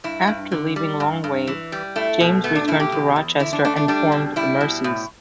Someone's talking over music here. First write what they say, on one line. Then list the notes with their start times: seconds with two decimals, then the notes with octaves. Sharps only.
After leaving Longwave, James returned to Rochester and formed the Mercies.
0.04 G2 E4
0.27 G2
0.52 D3
0.76 G3
1.00 G2
1.24 G2
1.47 E3
1.72 G3
1.96 A3 E4
2.20 B2
2.44 A3 B3
2.55 D4
2.68 B2 E4
2.80 G4
2.92 E2
3.16 E2
3.40 D3 E4
3.53 D4
3.65 A3 D4
3.76 D4
3.88 G3 D4
4.12 B2
4.36 G3 E4
4.61 B2
4.84 A2